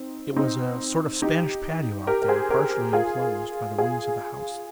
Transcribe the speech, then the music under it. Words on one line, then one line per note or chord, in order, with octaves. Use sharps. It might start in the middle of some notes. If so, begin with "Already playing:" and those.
It was a sort of Spanish patio out there, partially enclosed by the wings of the house.
Already playing: C4 D#4
C4 D#4
D#4 G4
G4 A#4
A#4
G#4 C5
G4 A#4
F4 G#4
F4 G#4